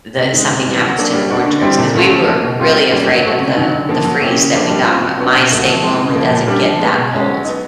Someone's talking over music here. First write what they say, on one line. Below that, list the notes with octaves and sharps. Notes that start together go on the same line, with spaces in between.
that something happens to the orange groves. 'Cause we were really afraid of the the freeze that we got. M my state normally doesn't get that cold.
C3
D#3 G#3
C3
E3 G3 B3
F#3
A#3 D4
G3
A#3 D4 F#4
D3
G3 C4 E4
A#2
F#3 A3 C#4 F4
F3
A#3 D#4
B2
G3 C4 F4
D#3
G3 A#3 C#4
F#3
A3 C#4 F#4
C3
D#3 F#3
D3
F3 A#3
F#3
A#3 C#4 E4 G4
C#3
F3 A#3 D4
G3
C4 F4
F#3
B3 D4 F#4
B2
F#3 A#3 D#4 F#4
F3
G#3 C4 E4
C#3
F3 A#3
A#2
G3 A#3 D4 G4
F3
G#3 B3 D#4
B2
G#3 C#4
F#3
B3 D#4